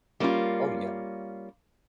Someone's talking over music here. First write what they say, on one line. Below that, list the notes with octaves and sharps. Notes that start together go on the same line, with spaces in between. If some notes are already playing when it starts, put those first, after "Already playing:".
Oh, yeah.
G3 A#3 C#4 D4 F4